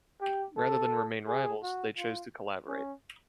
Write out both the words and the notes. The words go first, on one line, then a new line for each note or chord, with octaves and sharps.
Rather than remain rivals, they chose to collaborate.
G4
A4
G#4
F#4
F4
C#4